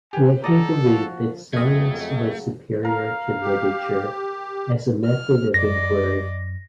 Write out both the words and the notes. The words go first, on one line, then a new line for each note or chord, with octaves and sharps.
Yet he believed that science was superior to literature as a method of inquiry.
G4 B4 G#5
A4 D5 D#5 F#5 A#5
F3 F#4
F2 C#3 F#3 A3 D#5 G#6
A#4 F5
G4
F6
F#2 D5 D#5 A#6